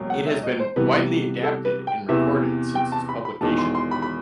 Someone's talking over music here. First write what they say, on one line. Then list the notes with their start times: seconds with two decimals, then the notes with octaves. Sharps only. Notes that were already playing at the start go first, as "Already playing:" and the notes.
It has been widely adapted and recorded since its publication.
Already playing: E1 D#2 F#3
0.10 F#5
0.26 E5
0.43 D#5
0.60 C5
0.76 C2 C3 E3 B3 B4
1.43 A4
1.65 B4
1.87 G5
2.08 E2 C3 E3 B3 E5
2.75 G5
2.92 A5
3.09 B5
3.25 B5
3.41 E1 E2 D#3 A5
3.58 C6
3.75 C6
3.91 B5
4.02 B5